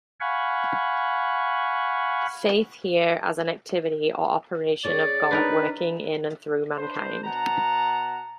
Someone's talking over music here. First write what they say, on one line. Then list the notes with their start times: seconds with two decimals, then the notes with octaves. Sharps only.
Faith here as an activity or operation of God working in and through mankind.
0.20 F5 F#5 G#5 B5 C#6
4.84 C#4 G#4 C#5 D5
5.31 D4 D#4 A#4 B4
6.78 D4 B4 C5
7.24 B2 F#5 A5 A#5